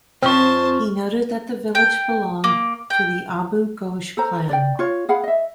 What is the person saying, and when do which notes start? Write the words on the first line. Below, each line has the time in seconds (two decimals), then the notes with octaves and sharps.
He noted that the village belonged to the Abu Ghosh clan.
0.23 F2 F3 C4 C#4 C5 A5 C#6 F6
1.75 G5
2.44 A#3
2.90 G5
4.17 A4 C5 A#5
4.49 D5 G5
4.79 F4 C#5
5.09 G#4 F5 F#5 B5
5.24 D#5 E5